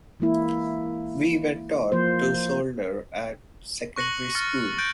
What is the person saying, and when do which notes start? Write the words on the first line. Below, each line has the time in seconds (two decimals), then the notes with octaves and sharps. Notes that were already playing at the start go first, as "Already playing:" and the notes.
We were taught to solder at secondary school.
0.20 E3 G#3 A#3 E4
1.92 F3 A#3 C5
3.96 C#6 F#6 A#6 C#7 F#7
4.35 C#6 F6 A6 C#7
4.78 F#6 G6 A6 D7